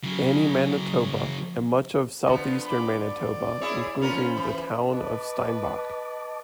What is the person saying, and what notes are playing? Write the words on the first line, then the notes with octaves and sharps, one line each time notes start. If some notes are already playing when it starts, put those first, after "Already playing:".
Anne, Manitoba and much of southeastern Manitoba, including the town of Steinbach.
C#3 F#3
D3 F3 B3
B5 D6
D5
E4 G#4 C#5
C#4 F4 A#4 C5 B5
E3
B4 D#5 A5 D6